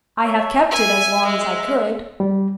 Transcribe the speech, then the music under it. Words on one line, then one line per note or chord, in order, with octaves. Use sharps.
I have kept it as long as I could.
C#5 E5
E5 G#5
G#3
G3